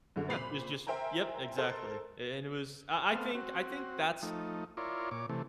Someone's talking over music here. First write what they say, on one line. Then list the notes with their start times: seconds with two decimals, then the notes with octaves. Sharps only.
Yeah, it's just Yep, exactly, a and it was I I think I think that's
0.16 F#2 D3
0.29 A#2 C4 B5 C7 F7
0.87 A#4 C5 E5 G5 G#5 A#5
1.57 A4 A#4 C5
3.12 A3 B3 C4 F5
3.35 C4 F#4
4.23 F3 A3 D#4
4.77 E4 F4 A#4 C#5 D5 C6
5.11 A#2 C#5 D6
5.29 C3 E3 A3